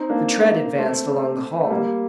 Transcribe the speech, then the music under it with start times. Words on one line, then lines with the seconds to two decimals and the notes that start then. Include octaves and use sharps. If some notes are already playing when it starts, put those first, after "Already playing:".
The tread advanced along the hall.
Already playing: C4 D#4
0.09 A#3 D4
0.79 A3 C4
1.64 A3
1.70 G3 A#3